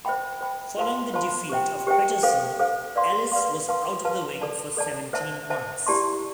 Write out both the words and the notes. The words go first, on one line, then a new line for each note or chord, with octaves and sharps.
Following the defeat of Patterson, Ellis was out of the ring for seventeen months.
C5 E5 G5 B5
C5 E5 G5 B5
F4 C5 F5 A5 C6
F4 C5 F5 A5 C6
G4 C5 E5 G5
G4 C5 E5 G5
A4 C5 F5
A4 C5 F5
B4 D5 F5 C6
B4 D5 F5 C6
B4 F5 A5 C6
B4 F5 A5 C6
A4 D5 A5
A4 D5 A5
C5 E5 A5
C5 E5 A5
E4 G4 D5 A5 C6